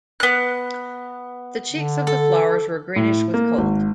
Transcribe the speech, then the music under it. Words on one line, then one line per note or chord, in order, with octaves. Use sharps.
The cheeks of the flowers were greenish with cold.
B3 F#6
D3
A4
A2
A#3
G#1